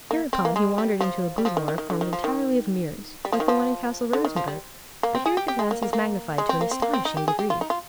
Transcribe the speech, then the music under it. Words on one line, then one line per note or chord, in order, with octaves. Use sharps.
Hereupon he wandered into a boudoir formed entirely of mirrors, like the one in Castle Rosenburg; but here the glasses magnified to an astonishing degree.
A#3
C4
A#3
G#3
G3
F3
G3
F3
D#3
D#3
D#3
D3
D#3
F3
D#3
G3
F3
D#3
F3
D3
D#3
F3
G3
A#3
C4
G#4
G4
G4
G#3
A#3
A#3
A#3
G#3
C4
A#3
C4
A#3
C4
D#4
G4
G#4
G4
F4
D#4
F4